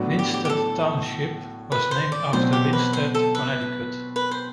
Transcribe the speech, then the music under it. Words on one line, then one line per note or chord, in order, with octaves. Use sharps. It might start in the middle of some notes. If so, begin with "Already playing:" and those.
Winsted Township was named after Winsted, Connecticut.
Already playing: A2 F#3 B3 D4 F#4
G4
G4
G4
A4
B4
C5
D5
B2 F#3 C4 C5
G4
B4
C5
A4
B4
B4
C5